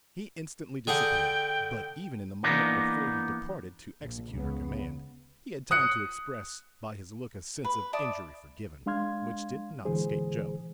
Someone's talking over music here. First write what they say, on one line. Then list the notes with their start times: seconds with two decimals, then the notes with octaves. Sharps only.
He instantly disappeared; but even in the moment before he departed to execute her command he had time to express by his look a sense of injury forgiven, which did not escape Joe.
0.87 D3 G#4 F#5 G5
2.43 E3 A#3 B3 D4 D#4
4.02 A#1
4.32 C#2 C#3 B3
5.71 D#6 F#6 C#7
7.64 B4
7.93 D5 E5 A5 D#6
8.86 G#3 D4 F5 C6 F6 G#6
9.85 A#2 D3 E3 G#3 G#4 C5